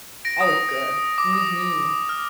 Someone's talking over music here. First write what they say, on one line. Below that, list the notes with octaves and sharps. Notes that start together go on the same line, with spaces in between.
Oh, it's good. Mhm.
A#6 D7
D#6
D6
D#6
F6